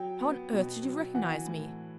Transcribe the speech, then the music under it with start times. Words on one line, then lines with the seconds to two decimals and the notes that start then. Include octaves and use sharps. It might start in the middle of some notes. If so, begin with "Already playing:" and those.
How on earth did you recognise me?'
Already playing: F#3 G5
0.20 B3
0.52 B2
0.83 F#3
1.15 E3 F#5
1.45 A2